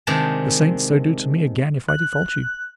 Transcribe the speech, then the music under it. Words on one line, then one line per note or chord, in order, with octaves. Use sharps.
The saints so do to me again if I default you.
C3 D#3 G#3 D4 A5
F#6